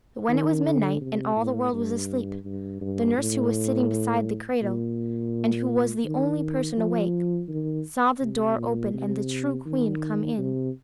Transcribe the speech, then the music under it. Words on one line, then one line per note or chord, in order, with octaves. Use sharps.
But when it was midnight, and all the world was asleep, the nurse who was sitting beside the cradle, and who was the only person awake, saw the door open and the true queen come in.
D#3
D3
C3
A2
G2
G2
G2
A2
A#2
D#3
F3
D#3
C3
A#2
C3
D#3
C3